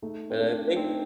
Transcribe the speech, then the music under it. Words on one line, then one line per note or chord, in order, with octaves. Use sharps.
But I think
A3 D#4
C4
A3 D4
C4 D#4